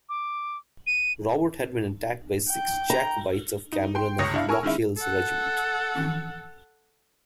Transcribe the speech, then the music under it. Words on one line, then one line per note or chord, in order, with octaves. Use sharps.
Robert had been attacked by six Jacobites of Cameron of Lochiel's regiment.
D6
D#7
G5
A#5
D#4
G5 C6
G1 C#2 C#5 D#6 A#6 C#7
D4 E4 F5
A#4 G#5 C#6 E6 F6
D#3 G#3 C#4 E4
A4 F#5